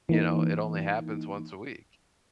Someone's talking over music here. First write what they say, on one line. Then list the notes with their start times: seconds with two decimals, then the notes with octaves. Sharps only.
you know, it only happens once a week.
0.09 E3 A#3 D#4